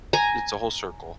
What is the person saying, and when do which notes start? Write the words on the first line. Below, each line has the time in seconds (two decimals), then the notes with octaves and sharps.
it's a whole circle.
0.13 G#5 A#5